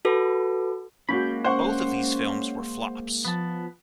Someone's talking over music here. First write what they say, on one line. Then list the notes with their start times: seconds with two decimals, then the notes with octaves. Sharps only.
Both of these films were flops.
0.05 F#4 A4 B4
1.09 G#3 A#3 C#4 F#4 B5 G6
1.44 C#4 C5 F#5 C#6
3.25 F3 B3 A5